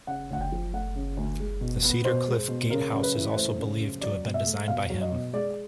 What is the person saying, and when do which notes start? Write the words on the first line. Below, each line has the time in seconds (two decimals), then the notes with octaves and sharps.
The Cedarcliff Gatehouse is also believed to have been designed by him.
0.07 C#3 F#5
0.30 D2 F#5
0.41 G5
0.52 F3
0.73 A3 F#5
0.96 C#3
1.17 D2
1.40 G#3
1.61 B2
1.82 B3
2.05 B2 C5
2.27 G#3
2.48 B2
2.70 C#3 A#4
2.93 F#2
3.03 B4
3.15 E3
3.36 A3 C5
3.58 C#3
3.79 F#2
4.01 F#3 D5
4.24 B2
4.34 E5
4.46 A3
4.68 B2 F5
4.90 F#3
5.01 D#5
5.12 B2
5.33 G#3 D5